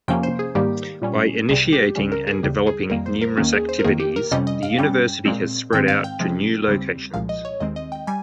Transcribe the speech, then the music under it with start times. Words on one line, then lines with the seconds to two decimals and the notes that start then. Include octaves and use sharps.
By initiating and developing numerous activities the University has spread out to new locations.
0.08 F2 C3 F3 A#3 C#4 G5
0.23 C5
0.39 G#4
0.55 G#2 D#3 G3 A#3 G4
1.02 A#2 G3 C#4
1.49 C2 C3 G3 G#4
1.73 G4
1.96 C#2 C#3 G3 C#4
2.12 A#4
2.27 G#4
2.43 D#2 C#3 G3 G4
2.67 G#4
2.90 F2 D#3 G3 A#3 A#4
3.06 C5
3.21 A#4
3.37 D#2 D#3 A#3 C#4 G4
3.53 G#4
3.69 C5
3.79 A#4
3.84 F2 D#3 A#3 G#4
4.00 G4
4.16 A#4
4.31 F2 C3 G3 C#4 D#5
4.47 D#5
4.63 F5
4.78 G2 G3 C#4 G5
5.25 A#2 G#3 C4
5.72 G#2 D#3 G#3 C4 G5
5.88 F5
6.04 G5
6.20 C3 F3 G#3 C#4
6.66 D#2 C#3 G3 C4
7.14 C2 A#2 F3 G#3 F5
7.29 D#5
7.45 C#5
7.60 D#2 D#3 G#3 C4 D#5
7.76 D#5
7.92 G5
8.07 G3 G#5